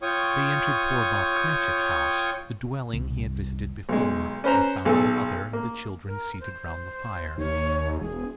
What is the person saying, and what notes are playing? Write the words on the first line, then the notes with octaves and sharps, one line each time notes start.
They entered poor Bob Cratchit's house; the dwelling he had visited before; and found the mother and the children seated round the fire.
F4 C#5 G5 C#6 D#6
C2
B1 G#3
C#4 B4 C5 A#5
B1 G#4 A4
A#3
A#4
C5
D#2 C#5
E1 G#4